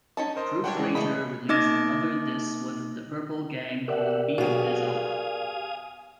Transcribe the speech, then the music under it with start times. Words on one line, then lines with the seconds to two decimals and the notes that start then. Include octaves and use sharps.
Proof later released another diss with The Purple Gang called "Beef Is Ova".
0.17 C#4 D#4 A5
0.36 A#4 C5 D#5
0.64 G3 D4 C#5 F#5 G5
0.76 E3 G#3
0.95 A3 D#5 B5
1.49 A#3 D#4 D#5 D6 A#6
3.88 G4 A#4 D5 E5 F#5
4.38 B2 F#3 G4 G#4 F5 G#5 D#6